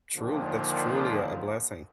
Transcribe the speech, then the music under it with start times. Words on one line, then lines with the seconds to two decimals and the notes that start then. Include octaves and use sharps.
tru that's truly a a blessing.
0.17 D#2 A#2 D3 F3